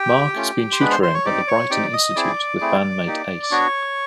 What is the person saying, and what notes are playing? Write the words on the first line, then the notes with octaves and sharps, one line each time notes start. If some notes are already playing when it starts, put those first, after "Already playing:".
Mark has also been tutoring at the Brighton Institute with bandmate Ace.
Already playing: G4 G5
A3 C#4 F4
C6
G#3 B3 D4 B4 B5
C5 C6
C5 C6
C#5 C#6
C4 D#4 G4 D5 D6
C#5 C#6
C4 D#4 G4 D5 D6
D#5 D#6
C4 E4 G#4 D5 D6
A3 C4 E4 G#4
A#3 D#4 G4
D6
B3 D4 F#4 C#5 C#6